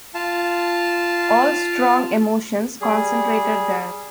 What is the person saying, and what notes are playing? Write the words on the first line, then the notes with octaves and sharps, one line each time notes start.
All strong emotions concentrated there.
F4 F5 A5
G3 G#4